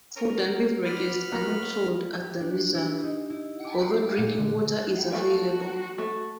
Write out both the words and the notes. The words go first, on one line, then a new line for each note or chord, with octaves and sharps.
Food and beverages are not sold at the reserve, although drinking water is available.
C#4 A#4
B3 C4 D4 B5 F6
A2 A#3 A#5 A#6
G4
D4
E4
D#4
E4
D6
C7
A#2
D3
A3 F#4 E5 F5
A3